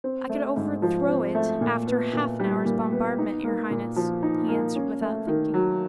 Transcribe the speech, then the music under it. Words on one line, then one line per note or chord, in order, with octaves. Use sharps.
"I could overthrow it after half an hour's bombardment, your highness," he answered, without thinking.
C4
A3
G#2
F3
C4
A3
A#2
B3
A#2
G3
A#2
B3
D#4
A#3
A#2
F3
D#4
A#3
C#4
A3
D#3
F#3